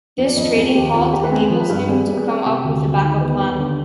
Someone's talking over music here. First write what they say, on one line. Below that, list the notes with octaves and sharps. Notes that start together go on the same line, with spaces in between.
This trading halt enables him to come up with a backup plan.
F2
D5
F2 D#5
F2 G#4
D#2 G4
D#2 F4
D#2 G4
B4
C4 G#4
F3
B4
G2
G3 G#4
G3
B4
G#4
C4
C3 G4
D2
D2
D#3
B3
D#2
D3